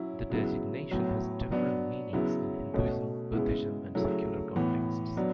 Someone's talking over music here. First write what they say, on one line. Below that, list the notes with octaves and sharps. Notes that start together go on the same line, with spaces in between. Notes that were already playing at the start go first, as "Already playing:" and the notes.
The designation has different meanings in Hinduism, Buddhism and secular contexts.
Already playing: F#3 C#4 E4
C#3 F#3 B3 E4
A2 F#3 B3
F#3 B3 D4
C#3 F#3 B3 E4
B2 A3 C#4
C#3 G#3 B3 E4
C#3 F#3 A3 E4
A2 E3 B3
F#3 B3 D4